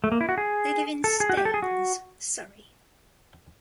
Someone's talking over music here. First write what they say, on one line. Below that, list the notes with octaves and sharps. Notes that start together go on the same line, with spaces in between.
They live in Staines, Surrey.
A3
A#3
E4
F#4
G#4
A4
G#4
F#4
G4
A4
G#4
F#4